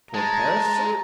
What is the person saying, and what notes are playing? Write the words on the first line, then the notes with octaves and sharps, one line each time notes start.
"Toward Paris, sir?"
G#3 A5 A#5